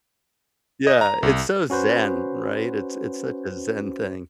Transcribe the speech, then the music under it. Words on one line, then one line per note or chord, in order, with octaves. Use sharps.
Yeah. It's so Zen, right? It's it's such a Zen thing.
D#5
A#5
C2
C#4 F#4 B4 C5